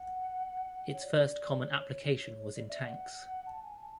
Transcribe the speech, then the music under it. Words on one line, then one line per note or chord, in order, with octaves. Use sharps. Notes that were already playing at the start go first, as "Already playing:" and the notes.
Its first common application was in tanks.
Already playing: F#5
C#5
D5
C#5
C#5
C#5
D5
E5
F#5
A5
G#5
A5